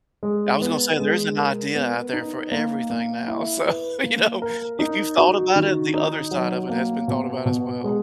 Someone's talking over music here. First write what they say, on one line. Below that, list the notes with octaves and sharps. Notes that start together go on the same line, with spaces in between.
I was gonna say there is an idea out there for everything now, so, you know, if you've thought about it, the other side of it has been thought about as well.
G#3
B3
G#3
A#4
B3
D#4
A#3
A#3
E4
B4
A#3
A#4
D#4
F#4
D#3
D#4
F#3
A#3
B2
B2
G#3